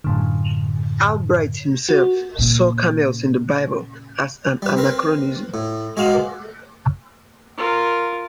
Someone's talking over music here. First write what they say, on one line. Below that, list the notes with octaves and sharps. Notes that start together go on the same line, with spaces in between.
Albright himself saw camels in the Bible as an anachronism.
F#2 A2 D3
F#4
A#2 C#3
G3 B4
C4 A#4 B4
A2
G#3 F#4 F5
F4 A#4